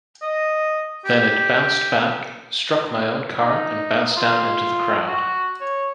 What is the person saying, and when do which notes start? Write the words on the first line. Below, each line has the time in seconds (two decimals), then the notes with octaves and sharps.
Then it bounced back, struck my own car and bounced down into the crowd.
0.22 D#5
1.05 G4
3.40 D#4
4.17 F4
5.07 F#4
5.61 C#5